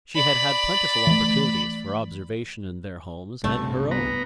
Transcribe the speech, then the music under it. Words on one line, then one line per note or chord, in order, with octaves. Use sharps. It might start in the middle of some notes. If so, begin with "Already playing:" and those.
She had had plentiful opportunities for observation in their homes and her own.
D5 B5
E3 A3
C2 G2 C3 A3
B3 A#5